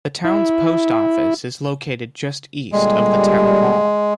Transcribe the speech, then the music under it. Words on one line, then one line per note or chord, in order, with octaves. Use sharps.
The town's post office is located just east of the town hall.
E4
A#2 D3 G3 G#3